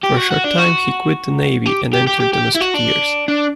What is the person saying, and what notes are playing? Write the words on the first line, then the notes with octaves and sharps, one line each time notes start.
For a short time he quit the navy and entered the musketeers.
G4
F#4
F#4
D4
F#4
G4
G4
G4
G4
G4
E4
F#4
D4
D4